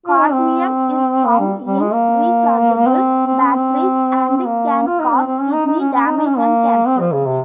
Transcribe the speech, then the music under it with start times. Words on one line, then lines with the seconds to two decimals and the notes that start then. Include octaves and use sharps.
Cadmium is found in rechargeable batteries and can cause kidney damage and cancer.
0.06 F4
0.21 D#4
0.33 C4
1.26 A#3
1.40 G3
1.67 G3
1.80 G#3
1.93 A#3
2.87 C4
3.27 C4
3.40 C#4
3.54 C4
4.37 C4
4.46 A#3
4.87 F4
5.00 D#4
5.14 C4
5.27 C4
5.40 C#4
5.53 D#4
5.67 D#4
5.80 C#4
5.94 C#4
6.07 D#4
6.17 D#4
6.27 C#4
6.38 A#3
6.86 C4
7.00 F3
7.14 C#3
7.26 C3